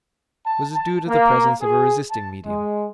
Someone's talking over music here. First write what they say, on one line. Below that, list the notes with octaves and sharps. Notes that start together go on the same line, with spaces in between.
Was it due to the presence of a resisting medium?
A5
A5
A#3
G#4
A5
G#3